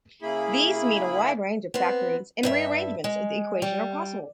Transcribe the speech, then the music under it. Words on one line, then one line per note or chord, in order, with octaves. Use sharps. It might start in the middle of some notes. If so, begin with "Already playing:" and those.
These mean a wide range of factorings and rearrangements of the equation are possible.
C#3 A#3 E4 G#4 B5
B3 C4
G2 A#4 E5
G#3
G3